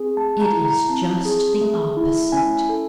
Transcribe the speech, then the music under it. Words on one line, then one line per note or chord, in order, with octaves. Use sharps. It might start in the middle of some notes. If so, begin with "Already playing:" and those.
It is just the opposite.
Already playing: C4 G#4
A3 A5
A#5
E4
A#5
C4 A5
G#4
A3
E4
C#4 G#5
A4